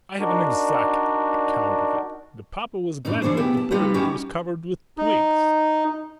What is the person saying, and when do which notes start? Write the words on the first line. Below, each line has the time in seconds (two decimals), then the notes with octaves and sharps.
I have an exact account of it. The papa was glad that the birch was covered with twigs.
0.19 D4 D#4 F#4 A#4 D5
3.05 F#2 A2 D4 D#4
3.22 E3 D4 F#4 G#4 C5
3.37 G#3 B3 E4 G4
3.57 A5
3.71 G3 D#4 F4 G4 B4
3.94 G3 C#4 D#4 E4 F#4 G4
4.98 D#4